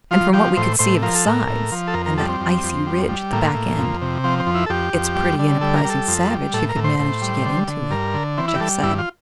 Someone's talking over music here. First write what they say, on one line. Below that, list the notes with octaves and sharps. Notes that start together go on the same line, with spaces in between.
And from what we could see of the sides--and that icy ridge at the back end--"It's a pretty enterprising savage who would manage to get into it," Jeff said.
F3 F4
F3 G4
A2 C5
A2 C5
F3 A#4
A4
A2 A#4
A2
F3
A4
F2 A#4
A#4
G3 A4
C4
F2
F2
G3
G3
A2 A#3
A2
F2
C3
F3 C4
C4
F2
E4
A4
F2 G4
F2
G3
D3
G3 A4
A#4
G3
A4
F2
G3
A2 A4
A#4
A2
C5
A2
G3
D3
D3
G2 A#4
D3
E3 C4
E4
G4
G3 A4
G2 E4
F4